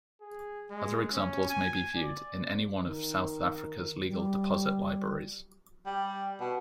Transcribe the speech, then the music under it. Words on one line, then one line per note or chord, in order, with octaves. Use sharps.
Other examples may be viewed in any one of South Africa's legal deposit libraries.
G#4
G#3
C#4
G#5
D5
D#3
G3
G3
B2